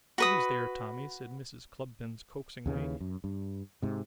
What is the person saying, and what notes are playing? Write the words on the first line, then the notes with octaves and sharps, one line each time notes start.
'What is there, Tommy?' said Mrs. Cluppins coaxingly.
F#4 B4 D#6
D#2 C#3 E3
F#2
G2
G#2 C3